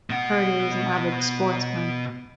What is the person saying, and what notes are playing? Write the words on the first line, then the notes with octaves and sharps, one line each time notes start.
Perdue is an avid sportsman.
B2 F#5